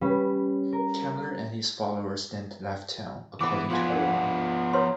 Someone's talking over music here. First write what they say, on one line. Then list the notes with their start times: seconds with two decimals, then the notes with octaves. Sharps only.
Kammler and his followers then left town, according to Braun.
0.01 G3 C#4 B4
0.73 A#4
3.41 E3 B3 D6
3.70 F3 B3 F4 F#5 G#5
3.90 D4 A#4 D5
4.73 B4 C#5 A#5 C6